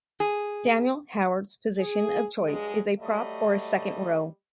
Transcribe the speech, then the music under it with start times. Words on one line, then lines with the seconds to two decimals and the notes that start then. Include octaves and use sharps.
Daniel Howard's position of choice is a prop or a second-row.
0.20 G#4
1.78 G#4
2.42 G2 F#3 G#3
3.00 F#3 G3 A3 D#5